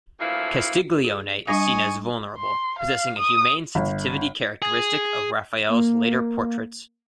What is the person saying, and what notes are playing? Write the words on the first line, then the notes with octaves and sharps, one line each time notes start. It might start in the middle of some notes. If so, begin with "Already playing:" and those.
Castiglione is seen as vulnerable, possessing a humane sensitivity characteristic of Raphael's later portraits.
D2 A#2 E3 F3 E4 F5
G#4
G3 D4 D#5 F5 G#5 C#6
C6
F5
D#6
G1
G#4
A#3